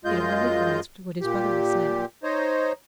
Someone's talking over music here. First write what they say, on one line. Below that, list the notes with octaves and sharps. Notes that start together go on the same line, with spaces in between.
He had hardly grasped what his brother was saying.
F#2 G#3 F4 D#5 G6
A#2 G4
D#4 C5 C#5 D#5